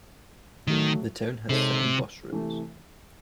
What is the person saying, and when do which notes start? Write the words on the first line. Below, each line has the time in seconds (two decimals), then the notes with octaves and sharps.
The town has seven bus routes.
0.67 A2 D#3 F#3 A3
1.49 C3 G#3 C4 D#4 A4 C#5
2.30 C3 E3 A3